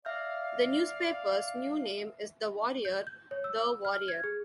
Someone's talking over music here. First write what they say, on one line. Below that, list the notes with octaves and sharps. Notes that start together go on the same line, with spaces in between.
The newspaper's new name is "thewarrior", the "Warrior".
D5 E5 F5 F6 G6
G6
G6
C#5
E6
F6
G#6
G#4